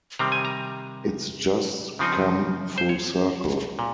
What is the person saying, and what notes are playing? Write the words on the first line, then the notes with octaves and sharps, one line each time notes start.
It's just come full circle.
C3 D#3 G3 C4 A#5
G#5
A#5
C#3 F3 C4 D#4
C5
C#5
A#2